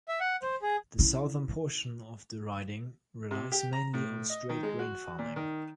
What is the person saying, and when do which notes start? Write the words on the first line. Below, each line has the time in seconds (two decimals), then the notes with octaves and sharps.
The southern portion of the riding relies mainly on straight grain farming.
0.08 E5
0.20 F#5
0.42 C5
0.62 G#4
0.98 C#4 E4
3.31 C3
3.52 G4
3.73 A#5
3.94 A2
4.30 D#5
4.49 D#3
4.63 G#3
4.79 F#4
5.19 A#2
5.36 D#3